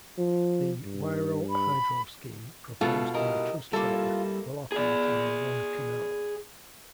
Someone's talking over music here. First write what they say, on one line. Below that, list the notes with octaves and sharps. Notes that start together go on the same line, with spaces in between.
The Wairau Hydro Scheme proposed by TrustPower will operate on a long canal.
F3
G2
B5
B2 G#3 B3 E4 F4 A4
E4 G4 A#4 D#5
G3 A#3 E4 F4 A4
G#4 D5